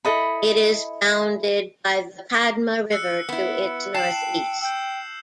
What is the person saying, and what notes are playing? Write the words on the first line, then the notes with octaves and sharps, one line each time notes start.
It is bounded by the Padma River to its northeast.
E4 A4 D#5 B5
E6 F#6 C#7
B3 E4
G5 A5 C7 E7 F#7
G5 E6 G6